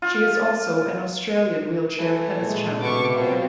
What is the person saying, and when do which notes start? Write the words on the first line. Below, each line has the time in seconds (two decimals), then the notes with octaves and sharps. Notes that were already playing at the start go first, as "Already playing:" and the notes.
She is also an Australian wheelchair tennis champion.
0.02 F4
1.99 E3 A3
2.38 A#2 G#3
2.80 B2 C#6 D6
3.15 A#2 F#3 A#3 C4 F4